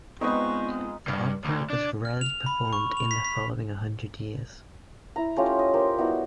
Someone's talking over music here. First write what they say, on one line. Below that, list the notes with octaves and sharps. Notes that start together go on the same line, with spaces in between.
The opera was rarely performed in the following hundred years.
G#3 B3 C4 D#4 F4 B4 D#5 C#6
G2
D2
D4
F6
F7
B5
C#6
F7
B6
B6
E4 A#5
A3 C#4 F4 G4
D#5
G4 A#4 C5
G3 B3 E4 F#4